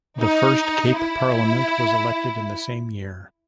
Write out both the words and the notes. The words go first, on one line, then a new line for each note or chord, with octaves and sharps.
The first Cape Parliament was elected in the same year.
D#4
E4